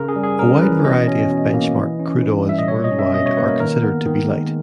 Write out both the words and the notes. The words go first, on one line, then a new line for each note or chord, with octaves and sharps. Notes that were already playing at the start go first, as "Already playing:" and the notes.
A wide variety of benchmark crude oils worldwide are considered to be light.
Already playing: C#3 A#4
G#4
G3
G#4
C#4 A#4
E3 B4
B2 D#5
C#4
B2
A#3
E3
C#4
E3
G3 E5
D#5
B2 C#5
D#5
C#4
E5
B2 D#5
C#5
A#3 B4
A#4
D#3 A#4
B3
D#3
G#3